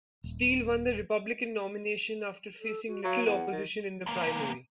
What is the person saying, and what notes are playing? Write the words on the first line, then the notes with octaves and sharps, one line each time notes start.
Steele won the Republican nomination after facing little opposition in the primary.
D#1
A4
F#4
F#3 F5
E2 F#5
D#3
E2 A#3